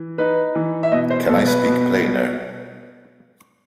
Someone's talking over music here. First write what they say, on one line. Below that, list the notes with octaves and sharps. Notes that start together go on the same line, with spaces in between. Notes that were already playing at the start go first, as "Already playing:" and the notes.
Can I speak plainer?
Already playing: E3
D#4 B4
E3
E5
B2 D#5
C5
B2 A4
B4
B2